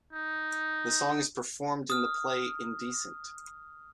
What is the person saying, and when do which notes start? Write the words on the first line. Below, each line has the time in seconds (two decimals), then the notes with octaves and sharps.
The song is performed in the play "Indecent".
0.13 D#4
1.90 D#6 F6